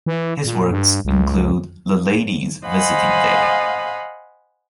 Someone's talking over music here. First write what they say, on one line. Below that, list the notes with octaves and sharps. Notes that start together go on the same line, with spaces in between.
His works include "The Ladies Visiting Day".
E3
A#2
G2
C#2
C5 D#5 F5 F#5 G#5 B5